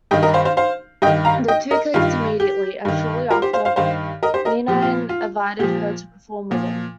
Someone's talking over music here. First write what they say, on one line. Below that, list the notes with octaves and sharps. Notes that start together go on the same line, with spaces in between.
The two clicked immediately, and shortly after, Meine invited her to perform with him.
G2 D#3 D#5 G5
A#4 D#5
C5 F5
C5 F5
C5 F5
G2 D#3 D#5 G5
F5 A#5
D#5 G5
A#4 D#5
G2 D#3 F4
G4
G2 D#3
F4 A#4
G4 C5
C5 F5
C5 F5
G2 D#3 C5 F5
A#4 D#5
G4 C5
A#4 D#5
A#2 F3 G4
F4
F4
A#2 F3 G4
A#2 F3